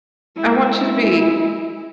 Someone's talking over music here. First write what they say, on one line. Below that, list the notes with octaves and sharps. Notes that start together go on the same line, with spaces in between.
I want you to be,
G#3 E4